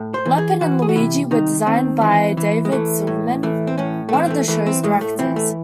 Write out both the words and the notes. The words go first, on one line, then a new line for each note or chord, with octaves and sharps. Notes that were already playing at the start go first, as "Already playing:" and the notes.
Leopold and Luigi were designed by David Silverman, one of the show's directors.
Already playing: A2
C5
E3
G#4
E3 F#4
G#4
F#4
C3 E4
D#3 D#4
D#3 C4
E3
E3
G#3
E3 A3
A2
E3 A3
C4
A2 C#4
A3
E3 C4
C4
A3
E3 A3
C4
A2 G#3
A3
E3 C4
A3